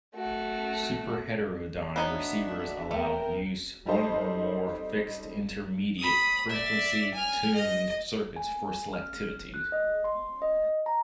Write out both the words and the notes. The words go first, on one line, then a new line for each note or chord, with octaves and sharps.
Superheterodyne receivers allow use one or more fixed intermediate frequency tuned circuits for selectivity.
A3 F#4
B3 D4 D#4 F#4 C#5 E5
D#2 A3 B3 A#4 E5 G5
G3 D#4 A4 C5
B5 D#6
D5 E5
G#5 F6
D#5
G#5
F6
F#6
D#5
C6
D#5
A#5